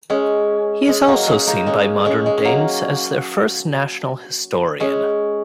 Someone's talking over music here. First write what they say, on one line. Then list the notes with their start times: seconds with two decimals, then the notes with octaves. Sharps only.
He is also seen by modern Danes as their first national historian.
0.10 G#3 C#4
0.88 G#3 C#4
1.07 F#3 A#3
1.27 G#3 C#4
1.47 A#3 D#4
1.66 G#3 C#4
2.05 G#3 C#4
2.26 G#3
2.38 C#4
2.45 F#3 A#3
4.80 G#3 C#4